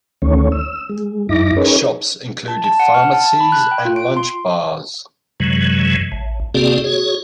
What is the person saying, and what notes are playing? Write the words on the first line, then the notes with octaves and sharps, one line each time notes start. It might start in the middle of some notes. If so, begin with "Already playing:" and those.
The shops included pharmacies, and lunch bars.
D2 D#3 A3 C#4 C#5
E6
G#3
F#2 D#4 E4 D6 A#6
C#4 D#4 G#4 A#4 B4 C#5
A5
A5
F#5
F6
A5
A5
B5
F#6
G5
F4
D7
C6
F#2 C3 E3 F#3 G#3
A1
C3 A#3 C4 F#4 G#4 D5
F#4 G#4 C#5